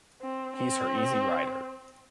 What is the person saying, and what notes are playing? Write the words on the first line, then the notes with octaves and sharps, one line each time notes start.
He's her easy rider.
C4
C4